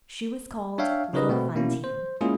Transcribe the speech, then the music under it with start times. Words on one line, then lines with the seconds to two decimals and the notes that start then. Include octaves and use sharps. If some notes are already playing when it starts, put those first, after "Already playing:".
She was called little Fantine.
0.78 D4 C#5 E5 F5 G5
1.13 C#3 D#4 A#4 B4 D#5
1.29 B2 A3 B3 C4
1.55 B2 A#3 C#4 E4
1.84 C5
2.21 G#3 A#3 C#4 E4 F4 G#4